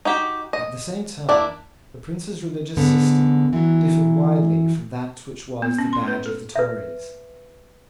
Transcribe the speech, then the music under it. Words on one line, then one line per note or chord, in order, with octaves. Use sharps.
At the same time the Prince's religious system differed widely from that which was the badge of the Tories.
D#4 F#4 G4
D#5
A#3 D4 E4 D5
G#2 D3 B3
E3 F#3
B3
C#4
C6
B4
A4
B4 E5